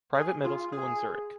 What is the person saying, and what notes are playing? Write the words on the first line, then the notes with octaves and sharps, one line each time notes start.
Private middle school in Zurich.
G#4
F4
G#4